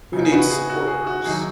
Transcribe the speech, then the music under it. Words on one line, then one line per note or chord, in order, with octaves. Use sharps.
Who needs support groups?
C#3 B3 D#4
G#4
F#4 B4
G#4
F#4
G#4
F#4
D#2 D#3 F#3 D#4 G#4